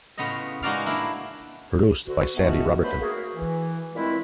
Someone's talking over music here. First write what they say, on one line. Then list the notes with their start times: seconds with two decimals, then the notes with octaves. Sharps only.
Produced by Sandy Roberton.
0.18 A2 C#3 B3 F4 D#5
0.63 G#3 D#4 F#4 A#4 D5 F5
0.86 A#3 D4 E4
2.07 D2 D3 F#4
2.36 G#3 A3 B3 C#4 D#4 F#4
2.83 G2 F#3 A3 B4 C5 B5
3.00 A#3 F#4 G#4
3.35 E3
3.94 G2 A#2 G#3 A3 C4 E4